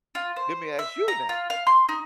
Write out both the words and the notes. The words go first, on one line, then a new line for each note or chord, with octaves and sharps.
Let me ask you now.
F4
C5
E5
A#5
F4
F5
C6
D#4